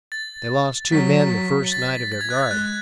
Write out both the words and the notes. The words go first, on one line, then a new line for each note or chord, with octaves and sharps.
They lost two men the first night of their guard.
A6
F#3 B6
A6
A6
G#6
F#6
G#6
G#3 F#6